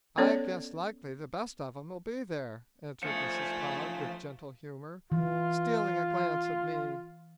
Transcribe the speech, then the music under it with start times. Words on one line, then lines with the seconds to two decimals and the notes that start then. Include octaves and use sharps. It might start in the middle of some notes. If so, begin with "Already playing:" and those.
"I guess likely the best of 'em'll be there," answered Mrs. Todd with gentle humor, stealing a glance at me.
0.18 B3 C#4 A4 C#5 D5
3.03 F3 A3 G#4 C5 C#7
5.12 E3 F4